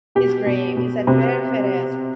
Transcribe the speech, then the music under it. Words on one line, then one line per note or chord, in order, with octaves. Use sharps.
His grave is at Bere Ferrers.
B2 G4
B2
B2
C3